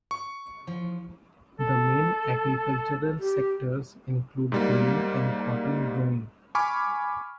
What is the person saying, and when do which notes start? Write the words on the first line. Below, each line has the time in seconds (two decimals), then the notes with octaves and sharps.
The main agricultural sectors include grain and cotton growing.
0.11 C#6
0.67 F3
1.59 A4
3.19 G4
4.52 G#2 G3 A#3
6.55 G#5 B5 C#6 D6 F6